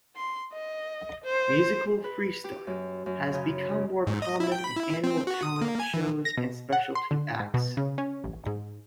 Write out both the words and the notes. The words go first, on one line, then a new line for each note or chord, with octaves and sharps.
Musical freestyle has become more common in animal talent shows and speciality acts.
C6
D#5
C5
B4
G4
F#2
F#2
C#3
C#3
G#2
D#5
E4
G5
B5
E4
C4
F#4
D#6
A#3
G#5
E3
A#6
B2
F#5
C6
D3
G#2
B2
C#3
C#4
A1
G#2